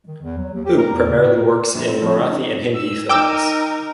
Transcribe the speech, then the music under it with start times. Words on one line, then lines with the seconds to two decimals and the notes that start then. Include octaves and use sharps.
Who primarily works in Marathi and Hindi films.
0.08 D#3
0.22 E2
0.38 F#3
0.53 D#2
0.65 G4
0.78 A#4
0.93 E2
1.09 C#3
1.24 A2
1.38 A#4
1.75 A#1
1.88 C4
2.02 F3
2.15 C#3
2.30 D#4
2.75 E6
3.09 D#4 A#4 G5 D6 E6